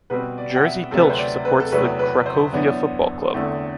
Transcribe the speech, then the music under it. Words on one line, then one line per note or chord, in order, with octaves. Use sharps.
Jerzy Pilch supports the Cracovia football club.
B2 G3 C4 B4
D5
G5
F#5
E5
D2 C3 F#3 C4 A4
B4
C5
D5
B4
A4
E2 C3 F#3 A3 B4
B4
C5
F#2 E3 B3 D4
E2 D3 A3 C4